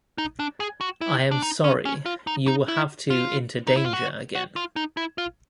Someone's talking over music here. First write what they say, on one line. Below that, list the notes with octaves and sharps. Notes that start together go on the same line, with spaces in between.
I am sorry you will have to into danger again.
D#4
D4
G#4
F#4
E4
D4
D#4
C#4
C#4
F4
D#4
D#4
E4
F4
D#4
E4
F4
F#4
F#4
F4
D#4
E4
F4